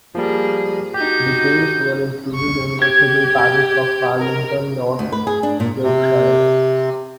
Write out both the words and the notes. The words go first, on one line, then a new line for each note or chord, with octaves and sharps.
Details were included in the civil parish of Farlington, North Yorkshire.
F3 G3 A#3 G#4
D#4 F#4 G4 G6
C#6
G4 G#6
A#4
D2
B4
G#4
D4
A#2
C3